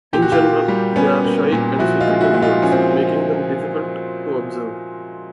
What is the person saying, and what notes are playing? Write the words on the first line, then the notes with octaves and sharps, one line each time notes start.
In general they are shy and secretive birds, making them difficult to observe.
A#2 G4
F#4
F4 G4
A#3
G3
G3 B3 C#4
A#3
A#2
F3 E4 F#4
D#4 F4
G#3
E4 F#4
A#2 E4
D#4 F4
F3 C#4
C4